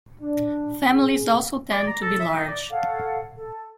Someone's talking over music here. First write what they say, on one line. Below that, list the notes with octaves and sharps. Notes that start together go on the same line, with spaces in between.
Families also tend to be large.
D4
G#4
D5
A#5
A4
E5
D#4
D5
A4 C#5 F5 F#5
A4